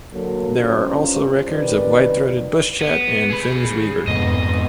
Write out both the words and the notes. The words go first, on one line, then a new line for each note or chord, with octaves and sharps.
There are also records of white-throated bush chat and Finn's weaver.
D3 F#3 A#3
G2 F#3 C#4 F4 C5
F#2 C3 D#3 F3 B4 D5
B3
G#4 B5
F2 G#2 B2 D#5